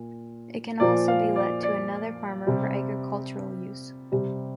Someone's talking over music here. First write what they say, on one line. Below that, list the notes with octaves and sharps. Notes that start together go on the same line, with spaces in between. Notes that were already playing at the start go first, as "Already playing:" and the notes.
It can also be let to another farmer for agricultural use.
Already playing: A#2
A#2 F3 D5
F5
D5
D5
C3 G3
C3 G3